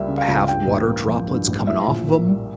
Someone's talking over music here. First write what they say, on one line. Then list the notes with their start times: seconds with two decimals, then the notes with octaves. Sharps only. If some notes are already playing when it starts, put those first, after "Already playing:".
have water droplets coming off of 'em.
Already playing: C#2 G3 A#3 E5
0.08 C#3
0.18 F5
0.28 C#2
0.48 G2 G5
0.68 A1
0.88 A#3
1.07 F3
1.28 G2
1.48 A1
1.67 A2 E5
1.88 A#1
2.07 A#3
2.28 G3